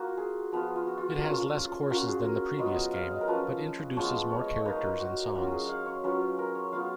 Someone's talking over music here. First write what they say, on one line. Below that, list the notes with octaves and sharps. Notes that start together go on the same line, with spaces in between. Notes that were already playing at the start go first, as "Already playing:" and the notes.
It has less courses then the previous game but introduces more characters and songs.
Already playing: A#3 F4 F#4
G#4
F3 B3 F4
F4
F#4
F4
F4
A#3 C#4 F4
A#3 C#4 F4 F#4
G#4
A#4
F#3 B3 F4 D#5
D#5
F5
D#5
A#4
F3 A#3 C#4 B4
F3 G#3 B3 F4 C#5
C#5
D#5
C#5
A#3 D#4 B4
A#4
F#4
F#3 C#4 F4 F#4
G#4
F5 F#5
C#5
F#3 C#4 F4 B4
A#4
C#5
F#3 B3 F4 F5